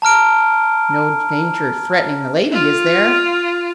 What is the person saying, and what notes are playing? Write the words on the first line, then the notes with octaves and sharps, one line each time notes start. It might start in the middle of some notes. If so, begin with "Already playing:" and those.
"No danger threatening the lady, is there?"
A5 A#5 F6 D7
F4